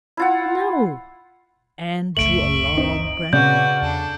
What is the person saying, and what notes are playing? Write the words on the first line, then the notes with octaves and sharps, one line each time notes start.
"No." Anne drew a long breath.
E4 F4 F#5
F#1 C#2 A3 E5 C#6 D7 F#7
C4 D#4
A#2 C#3 B3 C4 F#4 B4 D5 G6
E2 D4 A4